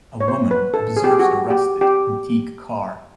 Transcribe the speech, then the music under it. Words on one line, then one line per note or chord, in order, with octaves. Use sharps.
A woman observes a rusted antique car.
C#5
C5
B4
A4
G#4
G4
G#4
F#4
G4
G4